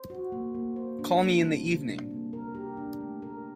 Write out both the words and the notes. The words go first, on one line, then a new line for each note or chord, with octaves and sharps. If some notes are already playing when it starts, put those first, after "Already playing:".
Call me in the evening.
Already playing: C5
F#4
A#3
A#3
C5
D4
A#3
G3
C3
D4
A#3
A#4
G4
D4
A3
A#4